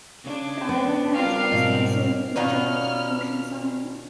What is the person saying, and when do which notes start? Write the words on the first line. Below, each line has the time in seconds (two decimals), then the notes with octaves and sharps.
The island has an extensive beach on its ocean side.
0.24 C#3 D4
0.69 B3
1.15 G3 D4 F4 A#4 F5
1.51 G#2 B2 G3 C4
2.36 B2 D#3 C#4 F4 B4 D5 F5 F6